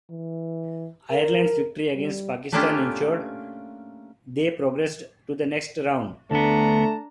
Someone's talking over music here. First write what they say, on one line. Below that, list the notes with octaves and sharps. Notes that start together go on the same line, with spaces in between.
Ireland's victory against Pakistan ensured they progressed to the next round.
E3
A#4
G3
A3 A#3 C#4 D4 F4 G4
D2 A3 B3 D4 A5 A#5